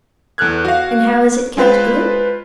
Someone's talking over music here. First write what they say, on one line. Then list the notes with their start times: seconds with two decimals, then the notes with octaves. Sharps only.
And how is it kept good?
0.38 E2 A4 F6 F#6 G#6
0.65 F#4 F5
1.57 G#3 F4 B4 C5